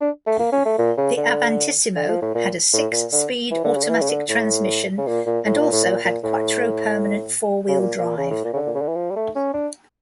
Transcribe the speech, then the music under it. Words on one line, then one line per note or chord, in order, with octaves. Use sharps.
The Avantissimo had a six-speed automatic transmission and also had quattro permanent four-wheel drive.
D4
A3
A#3
C#4
A3
A#2
C#3
D3
D3
F3
A2
A#2
A2
A#2
D3
E3
D3
C#3
D3
E3
C#3
D3
A2
C#3
A#2
A#2
A2
A#2
A2
A#2
A#2
A2
C#3
A#2
A#2
C#3
A2
A#2
C#3
D3
A#2
C#3
D3
E3
F3
G3
A3
C#4
D4